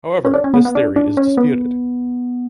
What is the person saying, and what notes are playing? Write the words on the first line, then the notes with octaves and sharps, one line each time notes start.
However this theory is disputed.
C#4
D4
C#4
B3
B3
D4
D4
C#4
B3